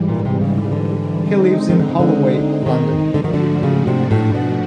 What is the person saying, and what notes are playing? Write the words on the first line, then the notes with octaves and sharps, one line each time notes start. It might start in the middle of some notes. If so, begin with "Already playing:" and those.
He lives in Holloway, London.
Already playing: G#2 E3 G3
A#2
C3
C#3
D3
C#3
D3
G#3 C4 D#4
D#3
D3
C#3
D3
D#3
G#2 D3 F3 A3 D4 F#4
D#3
D3
C#3
C3
A2
B2